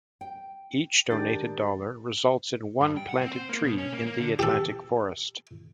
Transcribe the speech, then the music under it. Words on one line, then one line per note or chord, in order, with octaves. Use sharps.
Each donated dollar results in one planted tree in the Atlantic Forest.
G5
D#3 G#3 D4 G4 G6 A6
G2
G5
F#5
C4
C5
A#3
B2
C#4
A#3
A#3
D3
G4 A4